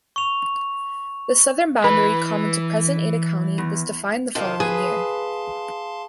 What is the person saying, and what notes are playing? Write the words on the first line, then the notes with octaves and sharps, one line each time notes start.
The southern boundary common to present Ada County was defined the following year.
C#6 F7
E3 B4
E2
F2 C3 D#3 F5 A5 C6
G#4 B4